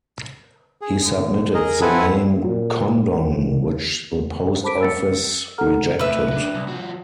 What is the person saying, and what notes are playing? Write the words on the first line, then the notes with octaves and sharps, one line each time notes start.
He submitted the name Condon, which the Post Office rejected.
G#4
D3
G#4 A#4 D#5
C4 E4 A4 B4 F#5 G#5
A#2 F#3
D#1 E3
C5 A5 B5 D6 B6 D7
E6 A6 C#7
A4 F#5 A#5 F6
C3 A3 B4 E5
F#3 D4
C2
F3 F#4